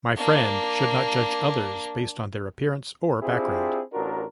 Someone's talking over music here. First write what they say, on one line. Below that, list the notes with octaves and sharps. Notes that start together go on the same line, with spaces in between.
My friend should not judge others based on their appearance or background.
A#3 D4
C4 D4 E4 F4 G4 G#4
A1 D4 F4 F#4 A#4